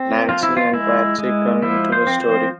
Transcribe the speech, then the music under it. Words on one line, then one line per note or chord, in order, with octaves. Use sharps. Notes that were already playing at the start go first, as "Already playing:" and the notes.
Nancy and Patsy come into the story.
Already playing: C4
F3 F4
E4
F4
G#3 E4
G#3
F3 E4
C5
C4
C5